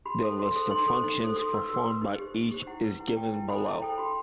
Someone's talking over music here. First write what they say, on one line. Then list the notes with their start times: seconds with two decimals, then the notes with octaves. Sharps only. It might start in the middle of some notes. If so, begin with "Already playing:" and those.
The list of functions performed by each is given below.
0.05 F#4 B5
0.23 A4 C5
0.39 F#4
0.56 A4 C5
0.71 D#4 C6
0.88 A4 C5
1.04 D#4
1.20 A4 C5
1.36 F#4 D#6
1.53 B4 E6
1.69 F#4 E6
1.86 B4
2.02 D#4
2.19 G4 C5
2.34 D#4
2.51 G4 C5
2.67 E4 F#5
2.84 B4
3.00 E4 F#5
3.16 B4 G5
3.33 E4 A5
3.49 A4 C5 B5
3.65 E4 A5
3.82 A4 C5 G5
3.98 F#4 B5